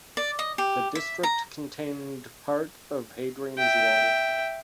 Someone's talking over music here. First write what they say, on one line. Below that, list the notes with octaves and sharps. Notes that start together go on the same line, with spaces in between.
The district contained part of Hadrian's Wall.
D5
D#5
G4
E5
A#5
E5 G5